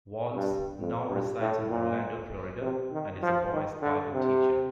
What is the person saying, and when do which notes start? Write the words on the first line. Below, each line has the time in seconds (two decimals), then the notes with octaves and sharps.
Walls now resides in Orlando, Florida and is a boys' Bible teacher.
0.35 G2
0.80 F2
1.10 G2
1.41 A2
1.70 A#2
2.61 C3
2.92 D#3
3.23 F3
3.53 D#3
3.82 D3
4.13 C3